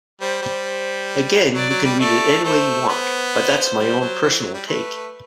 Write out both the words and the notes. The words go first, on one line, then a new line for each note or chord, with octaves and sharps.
Again, you can read it anyway you want, but that's my own personal take!
G3 C5
G3
C5
F#3 D5
F#3
G3
A3 D5
A3 C5
B3 C5
C5
G3
F#3
E3
F#3
G3
A3 B4